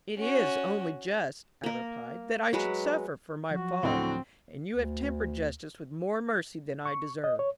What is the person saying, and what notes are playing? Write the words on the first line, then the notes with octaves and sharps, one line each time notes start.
"It is only just," I replied, "that I should suffer for my fault, and you have tempered justice with more mercy than I deserve."
C#4 F#4
A#3 A#4
F#3 G#3 B4
F3 F#3 F#4
D2 A2 D3 C4
D2
C#6
D#5
C#5